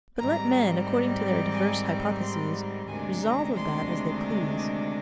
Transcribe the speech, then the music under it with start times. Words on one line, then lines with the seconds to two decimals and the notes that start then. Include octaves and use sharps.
But let men, according to their diverse hypotheses, resolve of that as they please.
0.19 G#2 D#3 G3 C4 A#5
1.54 G#5
1.88 G5
2.21 C6
2.88 D2 C3 D#3 G#3 D4 G#5
3.22 A#5
3.56 C6